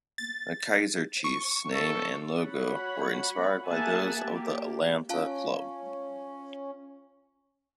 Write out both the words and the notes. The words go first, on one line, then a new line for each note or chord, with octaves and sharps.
The Kaizer Chiefs name and logo were inspired by those of the Atlanta club.
A6
C#6
A4
F#4 C#5 F#5 B5
A#3 G#4 E5 F#5 G#5 A5
A#3 G4
C#4 F4 F5 A5